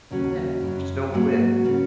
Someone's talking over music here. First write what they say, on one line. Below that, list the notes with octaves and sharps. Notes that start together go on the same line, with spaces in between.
Yeah. Just don't quit.
D#2 C#3 F#3 C#4 F#4
F#2 C#3 F#3
G#2 F#3 A#3 F#4
C#3 A#3 F#4